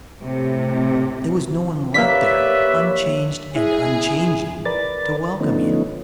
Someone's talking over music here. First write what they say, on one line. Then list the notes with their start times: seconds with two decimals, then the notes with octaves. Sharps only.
There was no one left there, unchanged and unchanging, to welcome him.
0.21 A2 C3
1.94 A#3 G4 A#4 B4 C#5 D5 E5 B6
3.55 E4 G#4 E5
4.65 A#4 B4 D5 A6
5.40 D3 F3 A3 B3 C#4 D#4